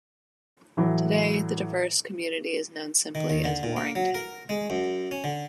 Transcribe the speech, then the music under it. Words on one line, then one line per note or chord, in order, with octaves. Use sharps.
Today, the diverse community is known simply as Warrington.
A2 E3 F#3
D#3
D#2
D3
A#2
A#3
F#3
A#4
G#3
F#2
C#4
D3